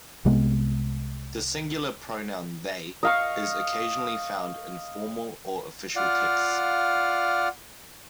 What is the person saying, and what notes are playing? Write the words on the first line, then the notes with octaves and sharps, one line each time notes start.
The singular pronoun "they" is occasionally found in formal or official texts.
C2 C3 G#3 B3
D#5 F5 C#6
F4 D5 F5 F#5 F6